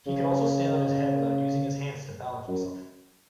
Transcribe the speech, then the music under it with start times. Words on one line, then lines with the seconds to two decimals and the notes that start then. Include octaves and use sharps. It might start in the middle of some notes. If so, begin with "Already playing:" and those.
He could also stand on his head without using his hands to balance himself.
0.06 C#3
2.48 F#2